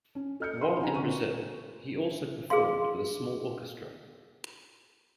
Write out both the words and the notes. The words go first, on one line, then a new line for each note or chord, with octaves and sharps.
While in Brazil, he also performed with a small orchestra.
C#4
A4 D#5 F6 G6 C#7
D#5 F#5 B5 C6
B3 D#4 G4 F#5 G#5 A#5
D3 C4 C#6 D#7
G#4 A#4 F5 C6